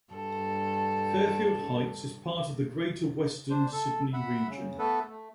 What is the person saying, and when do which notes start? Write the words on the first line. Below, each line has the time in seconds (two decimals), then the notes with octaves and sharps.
Fairfield Heights is part of the Greater Western Sydney region.
0.13 G2 A4
3.50 D4 C5
3.72 A4
4.13 E5 F#5 B5
4.48 C#3
4.79 A3 B3 A4 B4
5.09 A3